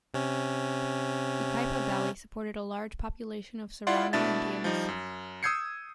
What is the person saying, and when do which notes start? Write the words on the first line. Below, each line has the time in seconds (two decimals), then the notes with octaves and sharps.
Yucaipa Valley supported a large population of Serrano Indians.
0.14 C3 C#4
3.87 E4 F4 D5 F#5 C6
4.13 B2 A3 D4 E4 E5 A6
4.64 F3 G3 D#4
4.88 F#2
5.43 D#6 E6 G6 G#6 C7 C#7